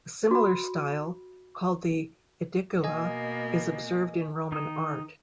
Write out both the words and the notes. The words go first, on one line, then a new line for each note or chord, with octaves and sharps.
A similar style, called the Aedicula, is observed in Roman art.
F#4 B5
B2 A#3 D#5 G#5
D#3 D#4 D#6